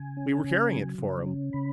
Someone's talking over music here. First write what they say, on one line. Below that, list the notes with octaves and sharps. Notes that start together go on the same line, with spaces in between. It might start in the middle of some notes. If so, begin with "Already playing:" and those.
"We were carrying it for him."
Already playing: C#3 G#5
C#4
C#3
F#3
C#3
C#4
C#3 B5